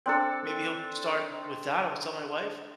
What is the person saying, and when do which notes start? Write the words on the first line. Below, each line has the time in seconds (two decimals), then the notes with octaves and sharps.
Maybe he'll start with that, I was telling my wife.
0.06 C4 D4 A4